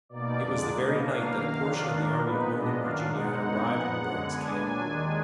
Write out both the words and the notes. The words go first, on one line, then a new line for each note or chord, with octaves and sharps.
It was the very night that a portion of the Army of Northern Virginia had arrived in Bragg's camp.
B2 A#3 D#4 D5
F2 D3 G#3 D4 D5
B2 A#3 D#4 D#5
B2 A#3 D4 F5
F#2 D#3 A#3
F2 D#3 F#3 D4
D#2 D#3 A#3 D4 A#4
A#2 F3 B3 D#4 B4
A#2 G#3 B3 D4 D#5
F#2 D#3 F#3 D4 F5
B2 G#3 D#4 F#5
F#2 D3 G#3 B3 D#4
A#2 F3 B3 D#4 F#5
F#2 D3 G#3
D3 G#3 B3 D4 G#5
A#2 F#3 D4
D#2 D#3 G#3 D4